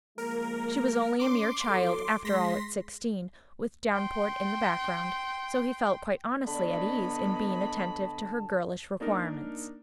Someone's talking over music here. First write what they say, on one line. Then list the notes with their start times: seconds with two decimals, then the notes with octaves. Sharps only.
She was only a mere child after all at sixteen, with Downport in the background; so he felt quite honestly at ease in being attentive to her girlish requirements.
0.18 F3 G#3 A#3 A#4
1.19 C#4 C6 D6
1.67 E2 F#3 A4
2.25 G#3 C6 A#6 B6
3.93 G5 C6
6.47 D3 B3 C#5 D#5 A5 B5
9.00 A#3 D4 D#4 A#4